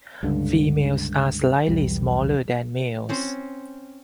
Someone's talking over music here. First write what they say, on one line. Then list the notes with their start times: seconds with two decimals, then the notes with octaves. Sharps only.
Females are slightly smaller than males.
0.23 C#2 G2 D3
1.67 B1 E2 G3
3.09 C4 C#4 C5